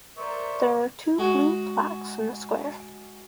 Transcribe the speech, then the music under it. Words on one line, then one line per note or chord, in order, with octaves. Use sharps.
There are two blue plaques in the square.
A#4 C5 D5 E5 C#6
G#3 F#4